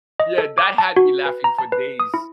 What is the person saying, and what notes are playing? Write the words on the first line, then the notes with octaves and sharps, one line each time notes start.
yeah, that had me laughing for days.
D#5
A4
D6
A5
F#4
B4
A#5
A5
B4
D#6
E4